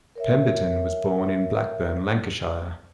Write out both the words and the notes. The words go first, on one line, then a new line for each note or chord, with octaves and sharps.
Pemberton was born in Blackburn, Lancashire.
A#4 C#5 E5